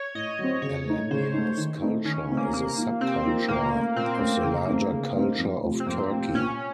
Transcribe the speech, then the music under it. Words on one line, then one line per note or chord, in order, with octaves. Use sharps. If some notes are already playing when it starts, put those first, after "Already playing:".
Alanya's culture is a subculture of the larger Culture of Turkey.
Already playing: C#5
A2 D#5
F#3 C4
C#3 C#5
A3 D#4
C#3 C5
A3 D#4
D#3
A3 C4 D#4
D#3 C#4
A3 C4 D#4
A#3
C3 A#3
F3 A#3 D#4
C3 C4
F3 A#3 D#4
A#2 A#3
A3 C#4
A#2 C4
A3 C#4
C#3 A#3
A3 A#3 C4 D#4
C#3
A3 C4 D#4
F2
C3 F3 A3
C4
F2 A#3
C3 F3 A3
A#2 C#4